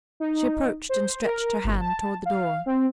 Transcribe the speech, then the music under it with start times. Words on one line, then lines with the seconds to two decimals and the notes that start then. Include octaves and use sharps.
She approached, and stretched her hand toward the door.
0.20 D#4
0.89 C5
1.24 A#4
1.64 G1
1.80 A5
2.26 F5
2.66 C4